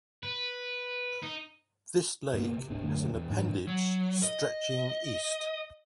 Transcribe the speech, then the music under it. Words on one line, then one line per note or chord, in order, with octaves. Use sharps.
This lake has an appendage stretching east.
B4
D#4
G1 B2 E3 A#3
C3
D1 G#1 B2 D4
D#1 F#2 D3 A3
E2 B2
F#1 G#2 E3 D4
F#3
D#5